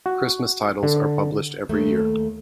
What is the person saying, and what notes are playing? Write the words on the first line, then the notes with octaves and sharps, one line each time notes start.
Christmas titles are published every year.
F#4
D3
D#2 A3